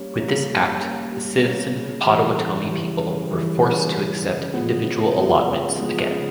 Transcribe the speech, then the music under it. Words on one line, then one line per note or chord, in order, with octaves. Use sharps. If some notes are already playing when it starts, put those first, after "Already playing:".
With this Act, the Citizen Potawatomi people were forced to accept individual allotments again.
Already playing: G3 A#3 C#4
A#3 C#4
G3
A#3 C#4
G3
A#3 C#4
C#3
E3 G3
C#3
E3 G3
C#3
E3 G3
C#3
E3 G3
C#3
F3 G#3 B3
C#3
F3 G#3 B3
C#3
F3 G#3 B3
C#3